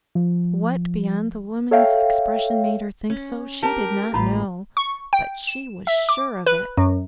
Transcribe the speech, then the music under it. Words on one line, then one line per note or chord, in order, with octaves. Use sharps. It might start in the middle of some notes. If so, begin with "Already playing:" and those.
What beyond the woman's expression made her think so she did not know, but she was sure of it.
F3
A4 C#5 E5 F5 G5
C#4
G4 A#4 A5 A#5
A1 F4 G4 A#5 B5
C#6
G5
E7
E5
D6
B4
F#2